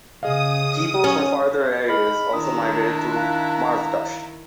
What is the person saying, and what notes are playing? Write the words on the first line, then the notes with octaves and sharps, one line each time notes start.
People from farther areas also migrated to Marvdasht.
C#3 G#4 D#5 F5 D#6
F#3 C#4
G#4 D#5 B5 F6
D#3 D4 E4 A#5 D#6
F5 A#5 F#6